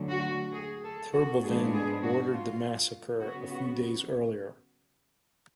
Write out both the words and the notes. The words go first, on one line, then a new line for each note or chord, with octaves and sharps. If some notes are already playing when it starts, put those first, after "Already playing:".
Terboven ordered the massacre a few days earlier.
Already playing: D2 D3 F#3
F#4
G#4
A4
F#4
G#2 F3 G#3 B3 D4 G#4
G#4
F#4
F4
C#3 F#3 B3 F#4
F#4